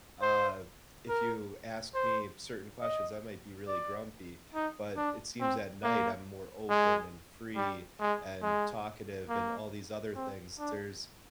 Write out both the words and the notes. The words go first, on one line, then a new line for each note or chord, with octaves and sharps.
uh, if you ask me certain questions, I might be really grumpy, but it seems at night I'm more open and free and talkative, and all these other things. There's
C5
A#4
C5
D#5
D5
D#4
D4
C4
A#3
G#3
G3
G#3
G#3
A#3
C4
D4